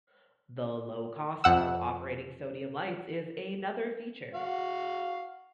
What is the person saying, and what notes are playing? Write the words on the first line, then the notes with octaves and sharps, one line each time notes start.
The low cost of operating sodium lights is another feature.
F2 F#5 E6
F#4 F5